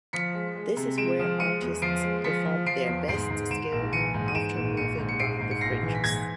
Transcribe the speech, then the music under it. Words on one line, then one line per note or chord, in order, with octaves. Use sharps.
This is where artists perform their best skill after moving round the fringes.
F3 B6 C#7
G#3
G#3
C3
G#3 D7 E7
F3
G#3 C#7 D#7
E2
F3 C7 D7
G#3
F3 B6 C#7
F3
F3 C7 D7
E2
G#2 C7 D7
G#2
G#2 D7 E7
A#1
E3 C#7 D#7
G#2
D#7
G#2 D7 E7
A#1
A#1 C#7 D#7
G#2
C#7
A#1 C7 D7
G#2
C#7
A#1 A#6 C7
E3
B6
G#2 G#6 A#6